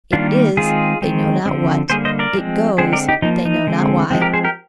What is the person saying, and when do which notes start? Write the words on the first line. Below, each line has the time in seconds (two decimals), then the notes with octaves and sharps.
It is, they know not what. It goes, they know not why.
0.13 D#3 G3 A#3 D4 F4
0.57 D#3 G#3 C4 F4 G#4
1.02 D#3 G#3 C4
1.46 D3 F3 C4
1.90 D3 G3 A#3 G#4 C5
2.05 C5 D#5
2.19 A#4 D5
2.34 F3 G#3 C4
2.78 D3 G#3 C4 G#4 C5
2.93 A#4 D5
3.09 D#4 G4
3.22 F3 A#3 D#4
3.45 D#4
3.67 D3 G#3 C4
4.10 F3 G#3 C4
4.22 G4 A#4
4.33 G#4 C5
4.44 G4 A#4